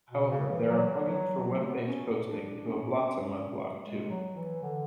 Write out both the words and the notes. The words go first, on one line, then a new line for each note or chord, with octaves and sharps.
However, there are plugins for web-based posting to a Blosxom weblog, too.
B2
C#3
E3
F#3
F#3
F#3
A3
B3
C#4
D4
C#4
G#3
F#3
E3
D3